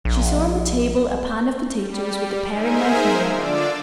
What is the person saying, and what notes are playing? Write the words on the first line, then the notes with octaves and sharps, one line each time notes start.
She saw on the table a pan of potatoes with the paring knife near.
A#1
G3
D#4 G#4 A#4 C5 E5 G#5
D3 D4 F4 D5 D6 E6